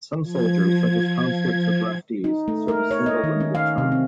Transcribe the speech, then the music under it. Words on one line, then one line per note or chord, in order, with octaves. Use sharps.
Some soldiers, such as conscripts or draftees, serve a single limited term.
F3 G#6
D#4
A3
A#4
C#5
D#5
D#3
C#4
F5
C3
C4